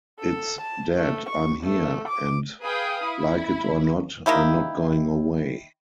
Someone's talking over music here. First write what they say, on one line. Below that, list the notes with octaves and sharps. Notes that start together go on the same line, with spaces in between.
It's 'Dad, I'm here, and like it or not, I'm not going away.
A4
A5
A3
C#6
A3
D6
G#4 B4 F5 G5 D#6
E4 B5
D#3 A#3 E4 G4